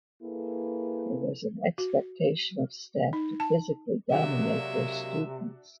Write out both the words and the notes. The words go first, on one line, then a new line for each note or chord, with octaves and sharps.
There was an expectation of staff to "physically dominate their students".
A#3 E4 G#4 A4 B4
F#4
D#4
A5
C3 F#3 G#3 A#3 D4 F#4 E5